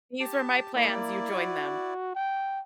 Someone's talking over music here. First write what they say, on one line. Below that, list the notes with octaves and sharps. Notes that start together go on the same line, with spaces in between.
these are my plans, you join them.
G4 A5
A#3 E4 D5
F#4
G5